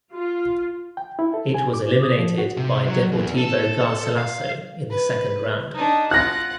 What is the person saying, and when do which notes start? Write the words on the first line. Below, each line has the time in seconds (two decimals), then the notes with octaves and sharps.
It was eliminated by Deportivo Garcilaso in the Second Round.
0.13 F4
0.97 G5
1.19 E4
1.34 A4
1.54 G#5
1.74 D6
2.02 D#6
2.18 F3
2.38 F#4
2.57 C3
2.87 F#3
3.12 E2
3.38 A4
4.17 F5
4.90 B4
5.74 D4 D#4
6.11 F4 F#5 F#6 A#6